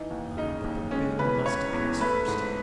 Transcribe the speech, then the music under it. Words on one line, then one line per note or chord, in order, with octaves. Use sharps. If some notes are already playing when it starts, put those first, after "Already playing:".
Ah! but the Bill must pass first....
Already playing: E3 D#4
D#2
C#3 D#4
D#2
G#3 C#4
E2 B4
C#3 C#5
E2
A3 B4
G#2